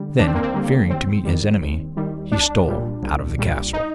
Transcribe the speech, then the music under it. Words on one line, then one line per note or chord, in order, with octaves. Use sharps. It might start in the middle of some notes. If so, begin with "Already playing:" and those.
Then, fearing to meet his enemy, he stole out of the castle.
Already playing: D3 G3
D#2 D4
C4
A#3
C4
D3 G3 A#3
D#2 C4
D#3 G3
D#2
D#3 G3
C2 D4
A#2 G3
C2
A#2 G3
D#4